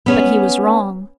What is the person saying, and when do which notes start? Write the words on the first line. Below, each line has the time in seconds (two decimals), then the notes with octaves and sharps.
But he was wrong.
0.06 B3 C#4 C#5